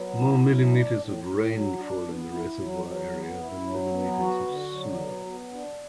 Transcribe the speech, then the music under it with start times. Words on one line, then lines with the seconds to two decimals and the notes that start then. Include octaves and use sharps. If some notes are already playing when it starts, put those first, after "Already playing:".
More millimeters of rain fall in the reservoir area than millimeters of snow.
Already playing: F#3 B3
0.18 E4
0.44 F#3
0.71 D4
0.98 A2
1.24 A2
1.51 F#3
1.78 D4
2.05 B3
2.31 E4
2.59 F#3
2.86 F#3
3.12 B3
3.39 E4
3.66 F#3
3.93 B3
4.19 F#4
4.47 D3
4.73 F#3
5.00 B3
5.26 B3
5.53 D4